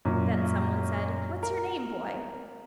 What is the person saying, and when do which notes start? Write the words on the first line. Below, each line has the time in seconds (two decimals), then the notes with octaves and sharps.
Then someone said, "What's your name, boy?"
0.05 F#2 A#2
1.43 A#4